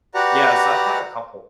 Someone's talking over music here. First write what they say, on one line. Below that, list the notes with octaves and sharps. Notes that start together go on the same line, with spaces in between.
Yeah, so I've had a couple.
F#4 G4 B4 D5 F#5 A#5